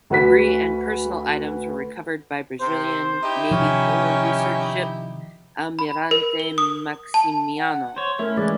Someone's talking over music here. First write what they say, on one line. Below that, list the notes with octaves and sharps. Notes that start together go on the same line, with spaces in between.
Debris and personal items were recovered by Brazilian Navy polar research ship "Almirante Maximiano".
D2 F#4 B4 B6
C3 C5
D#4 E4 G4
C3 D#3 F3 C#4
B5
A#4
G7
D#6
A5
F#5
C5 C#5
A3 C#4 E4 A#4
E3 G#3 B4 D5